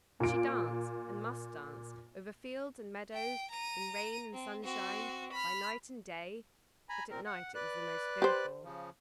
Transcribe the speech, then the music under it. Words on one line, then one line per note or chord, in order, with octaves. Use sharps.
And she danced, and must dance, over fields and meadows, in rain and sunshine, by night and day; but at night it was the most fearful.
A#2 D7
G5
A#5 D#7
C4
C4 F#4
B5 F6
G#5 A#5 B5
A#2 C4 A#4
F#5
B4 D5 F#6
G4 C5
C#3 F3